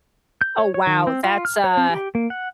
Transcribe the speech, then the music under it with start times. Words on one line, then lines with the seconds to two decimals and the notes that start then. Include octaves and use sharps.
Oh, wow, that's a
0.41 G6
0.58 C#5
0.74 C#5
0.87 D#3
1.07 C4
1.24 F4
1.45 F6
1.64 C#5
1.77 C4
1.89 G4
2.15 A#3
2.30 F#5